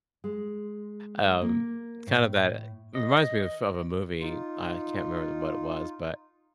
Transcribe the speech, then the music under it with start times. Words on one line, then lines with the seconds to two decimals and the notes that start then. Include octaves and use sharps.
Um, kind of that, reminds me of of a movie, I can't remember what it was, but,
0.24 G#3
1.42 A#3
2.07 A2
2.95 D#5
4.21 D#4 F4